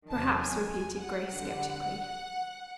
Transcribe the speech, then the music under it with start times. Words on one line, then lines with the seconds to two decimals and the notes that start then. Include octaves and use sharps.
"Perhaps," repeated Grace sceptically.
0.10 E2 C3 D#3 F#3 A5
0.40 G#5
0.71 G#5
1.00 F#5
1.31 F2 D3 G3 F#5